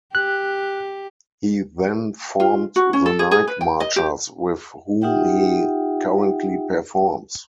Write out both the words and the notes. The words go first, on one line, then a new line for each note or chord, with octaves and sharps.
He then formed The Night Marchers, with whom he currently performs.
G4 F#6
F4
F#4
C#4
A4
G#4
G#4
B4
G5
D#5
G4
D#4 F4 G4 E5 F#5 G5